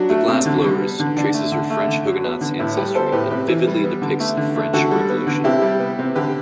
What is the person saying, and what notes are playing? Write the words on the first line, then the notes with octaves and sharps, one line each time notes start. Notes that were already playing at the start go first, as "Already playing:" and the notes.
"The Glass-Blowers" traces her French Huguenot ancestry and vividly depicts the French Revolution.
Already playing: F#3 D4 F#4
A3
C3
D3
G3
B3
D3
D3 D4
A3
D3
A3
D3
F#3
B3
D3
A2 E4
G3 G4 B4
B3 A4 C5
A2 G4 B4
C3 G4 B4
E3
G3
B3
D3
A3
D3
A3
D3 F#4 A4
G3
B3
D3
C3 E4 G4
G3
B3
C3
D3 G4 B4